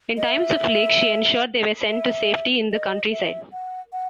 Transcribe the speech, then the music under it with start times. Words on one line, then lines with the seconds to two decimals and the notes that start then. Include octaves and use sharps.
In times of plague, she ensured they were sent to safety in the countryside.
0.17 D#5
0.28 E5
1.90 E5
2.72 D#5
3.12 E5
3.52 F#5
3.93 F#5